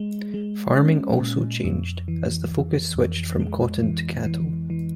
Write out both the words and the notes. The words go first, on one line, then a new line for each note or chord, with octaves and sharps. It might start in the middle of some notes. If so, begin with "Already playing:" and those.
Farming also changed as the focus switched from cotton to cattle.
Already playing: G#3
G#3
C#4
A#2
F2
E3
F2
F2
G#3
E3
E3
E3